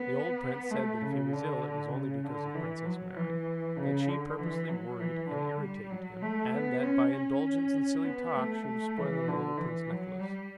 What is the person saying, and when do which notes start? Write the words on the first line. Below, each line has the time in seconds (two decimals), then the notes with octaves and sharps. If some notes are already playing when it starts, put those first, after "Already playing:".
The old prince said that if he was ill it was only because of Princess Mary: that she purposely worried and irritated him, and that by indulgence and silly talk she was spoiling little Prince Nicholas.
Already playing: B3
0.71 A3
1.01 C#3
1.32 D3
1.93 C#3
2.24 D3
2.54 E3
2.85 F#3
3.16 E3
3.77 C#3
4.08 D3
4.39 E3
4.69 F#3
5.00 E3
5.29 D3
5.60 G3
5.90 F#3
6.22 A3
6.52 B3
6.83 C#4
7.13 C#4
8.05 B3
8.36 A3
8.67 A3
8.97 E3
9.28 D3
9.58 E3
9.89 F#3
10.19 G3